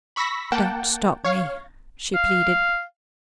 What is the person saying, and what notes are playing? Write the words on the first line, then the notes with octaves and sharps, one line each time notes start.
"Don't stop me," she pleaded.
B5 C#6 E6 A#6 B6
A#3 F#5 G5 A5
C#5 F5
F5